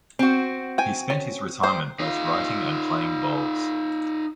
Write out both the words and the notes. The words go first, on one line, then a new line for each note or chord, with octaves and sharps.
He spent his retirement both writing and playing bowls.
C4 F#4
G5 G#5
C#4
G3 C5
D#4 F4